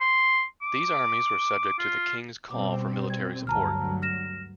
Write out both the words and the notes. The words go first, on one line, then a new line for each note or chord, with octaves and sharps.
These armies were subject to the king's call for military support.
C6
D6
F4
B2 G3 C4 D6
G#6
D2 G2 F#3 A5 A#5 F6
F6 A#6 E7